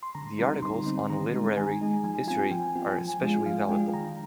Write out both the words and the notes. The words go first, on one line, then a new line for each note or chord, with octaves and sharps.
The articles on literary history are especially valuable.
C6
D3 A#5
G3 C4 D#4
D3 C6
G3 C4 D#4
D#3 A#5
G#3 D#4
D#3 G#5
G#3 D#4
F3 G#5
C4 F4 G#5
F3 G5
C4 F4
F3 G#5
G#3 D4 F4
F3 F5
G#3 D4 F4 G5
D#3 A#5